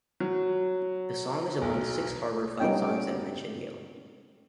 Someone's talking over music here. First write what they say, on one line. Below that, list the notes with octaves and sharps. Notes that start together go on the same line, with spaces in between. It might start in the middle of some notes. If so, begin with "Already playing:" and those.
The song is among six Harvard fight songs that mention Yale.
F#3
B1
G3 B3 C#4 D#4 G5